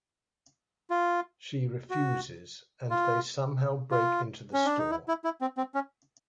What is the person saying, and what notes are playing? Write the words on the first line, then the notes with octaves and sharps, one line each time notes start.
She refuses and they somehow break into the store.
F4
F#4
F4
F4
C#4
D4
D#4
E4
E4
E4
C4
C4
C#4